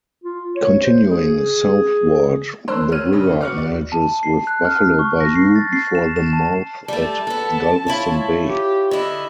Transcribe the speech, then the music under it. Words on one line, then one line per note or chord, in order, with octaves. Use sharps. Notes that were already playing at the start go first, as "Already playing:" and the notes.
Continuing southward, the river merges with Buffalo Bayou before the mouth at Galveston Bay.
F4
C#5
C5
G#4
D4 A#4 C5 C6 E6 F#6
C#5 F6 D#7
G2 C#3
F#4 B4 D6 F6 C#7
D#2 D5
A5
C7
F#6
F6
C#6
A#6
C7
A6
C7
E7
E7
A5
G3 A3 A5
B3 A4
E4 F4 C#5
G4
D3 E4 D#5